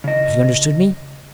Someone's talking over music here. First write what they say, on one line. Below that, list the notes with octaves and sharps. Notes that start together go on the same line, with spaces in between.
"Have you understood me?"
C#3 D#5